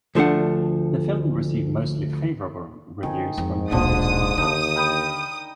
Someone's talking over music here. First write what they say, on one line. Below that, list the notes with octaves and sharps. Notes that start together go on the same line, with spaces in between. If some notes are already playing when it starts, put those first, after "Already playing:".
The film received mostly favorable reviews from critics and fans.
D2 F3 A3 D4 F#5
F2 D3 D#3 G#5
F2 G#2
D#1 B1 D3 F3 D4 D#6
D#2 D3 D#4
A#4 G5 B5